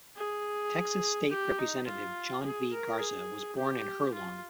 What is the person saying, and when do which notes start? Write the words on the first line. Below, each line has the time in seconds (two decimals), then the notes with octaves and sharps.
Texas State Representative John V. Garza was born in Herlong.
0.16 G#4
1.30 G4
1.58 D#4
1.86 F4
2.43 G#4
2.72 A#4
2.99 G#4
3.57 G4
4.14 F4